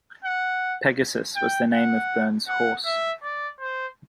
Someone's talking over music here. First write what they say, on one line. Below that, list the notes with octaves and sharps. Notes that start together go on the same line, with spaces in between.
Pegasus was the name of Burns' horse.
F#5
G5
F#5
F#5
E5
D5
C5